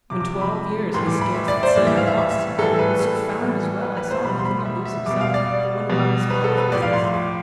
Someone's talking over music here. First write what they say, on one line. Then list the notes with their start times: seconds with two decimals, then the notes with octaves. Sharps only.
When twelve years he scarce had seen, I lost him, but so found as well I saw He could not lose himself, but went about His Father's business.
0.10 C3 F3 D6
0.20 D6
0.41 B5
0.93 A2 E3 G3 C6
1.07 D6
1.21 B5
1.34 E5
1.48 D5
1.63 C5
1.75 A2 E3 G3 D5
1.87 E5
1.97 F5
2.07 E5
2.17 E5
2.31 E5
2.58 A2 E3 G3 A4
2.79 B4
3.00 A4
3.41 A2 E3 G3
3.83 B4
3.97 B4
4.11 C5
4.25 B2 G3 B5
4.39 C6
4.45 B5
4.65 E5
4.85 E5
5.06 B2 G3 D6
5.21 F5
5.34 D5
5.90 B2 G3
6.30 B4
6.44 A4
6.58 B4
6.72 A2 F3 D5
6.82 F5
6.93 C6
7.04 C6
7.14 D6